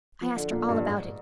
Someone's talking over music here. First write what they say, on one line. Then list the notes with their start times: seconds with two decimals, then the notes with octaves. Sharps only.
I asked her all about it.
0.21 F3
0.37 D3
0.52 A#2
0.69 G2
0.85 G#2